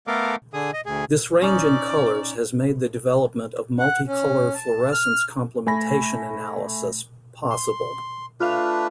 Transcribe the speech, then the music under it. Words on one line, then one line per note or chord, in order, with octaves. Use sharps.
This range in colours has made the development of multicolour fluorescence complementation analysis possible.
A3 B3 A4 A#4 F5 D6
D3 G#4 D#6
D#5
D2 G#4
C#4 D#4 D5
F#5
C#4
A5
F6
A3 G#5 B5 A#6
C6
A3 D4 F4 B4 F5